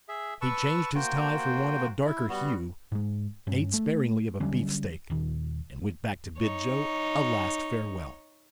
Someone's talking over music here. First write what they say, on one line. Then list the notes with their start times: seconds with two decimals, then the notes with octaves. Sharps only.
He changed his tie for one of a darker hue, ate sparingly of a beefsteak, and went back to bid Joe a last farewell.
0.09 G#4 E5
0.41 B4 A5 C#6 E6
0.95 A#3 F#4 C5 G5
2.06 E4
2.29 G3 B3 F#4
2.92 G#2 G#3
3.47 G2 C#4
3.74 A3
4.40 D3 F#3 G3 C#4
5.10 D#1 D#3
6.38 D#4 C#5